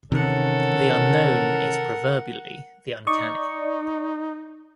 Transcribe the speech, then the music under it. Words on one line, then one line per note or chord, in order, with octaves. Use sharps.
The unknown is proverbially the uncanny.
C3 D#3 E3 C#4 A4 A#4 F#5
D#4 D5 D#5 C#6